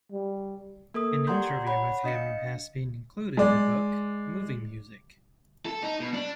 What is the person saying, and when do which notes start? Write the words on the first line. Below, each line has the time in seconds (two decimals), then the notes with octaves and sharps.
An interview with him has been included in the book "Moving Music".
0.12 G3
0.94 A#3 A4 A#4 D#6
1.27 G4 D5 F#5 A#5 C6 G6
1.67 C#5 F#5 B5
2.04 D4 D#5 F5 C#7
3.37 G#3 D5
5.66 A4
5.83 D#4
6.00 B2
6.14 D4